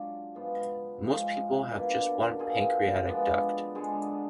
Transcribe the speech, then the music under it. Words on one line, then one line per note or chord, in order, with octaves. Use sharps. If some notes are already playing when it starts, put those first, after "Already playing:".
Most people have just one pancreatic duct.
Already playing: G#2 F#3 D4 F4
G#2 F3 B3 F4
G#2 F3 G#3
B2 A#3 D4
B2 A#3 F4 G#4
F3 G#3 B3 D4
D3 G#3 D4 G#4